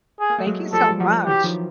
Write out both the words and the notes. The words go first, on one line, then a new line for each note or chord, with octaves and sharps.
thank you so much.
G#4
A#3
A3
F#3 G#3
F3 G3 A4
F3 G3
E3 F#3 G4
D#3 F3